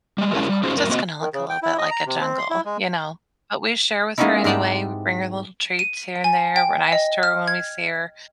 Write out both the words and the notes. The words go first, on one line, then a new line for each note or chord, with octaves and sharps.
Of course, it's gonna look a little bit like a jungle, you know? But we share with her anyway. We bring her little treats here and there. We're nice to her when we see her.
G3 G#3
G#3 C#4 E4 G4 G#4 A#4
G3
C#4 D#4 F4 F#4 G#4 C5
F#2 A2 A#4
A#3 C4 F#4 D#5
D#3
C#3
G5
E4
D#5
A#5
C3
C4
C6
E4
G#3
G#3 A#3 B3 C#4 D#4 E4
G#2 C4 G4 F#5 A5
D#7
G#5
G5
D#5
F6
G#6